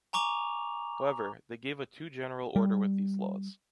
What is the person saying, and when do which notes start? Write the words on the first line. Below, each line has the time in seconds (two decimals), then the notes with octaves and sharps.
However, they gave a too general order with these laws.
0.13 G#5 A#5 C#6 D6 F7
2.56 G3